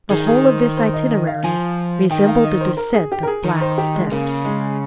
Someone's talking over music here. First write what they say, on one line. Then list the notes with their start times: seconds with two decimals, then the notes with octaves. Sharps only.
The whole of this itinerary resembled a descent of black steps.
0.10 D#3 G#4
0.27 G#4
0.44 C5
0.60 C5
0.77 C5
0.94 D#5
1.10 D#5
1.27 F5
1.44 F3 G#5
2.11 D#3 G5
2.28 F5
2.45 D#5
2.61 C5
2.77 A#4
2.94 G#4
3.12 G4
3.23 A#4
3.27 G#4
3.44 D#3 A#4
3.61 C5
3.78 G4
3.95 G#3
4.12 C#3 A#3
4.45 G#3